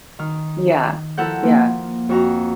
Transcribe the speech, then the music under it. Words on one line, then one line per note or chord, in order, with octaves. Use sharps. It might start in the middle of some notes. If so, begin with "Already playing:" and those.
Yeah. Yeah.
D#3 F6
F3 E4 A4 A#4 F#5 G6
F3 A#3
F2 F#4 A#5